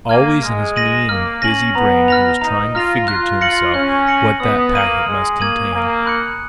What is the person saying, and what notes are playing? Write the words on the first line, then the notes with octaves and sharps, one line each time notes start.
Always in his mean and busy brain he was trying to figure to himself what that packet must contain.
A#3 F6 G#6 D#7
G#3 F6
A#6 D#7 F#7
A#3 F6
C#4 A#6 D#7 F#7
B3 A#5
F6 A#6 F7
D#4 A#5
F4 F6 A#6 F7
F4 F#6
F4 A#6 C#7 F#7
C#4 F#6
A#6 C#7 F#7
B3 D#6
A#3 G#6 D#7 F#7
G#3 D#6
A#3 G#6 D#7 F#7
A#3 G#5
B5 F#6 C#7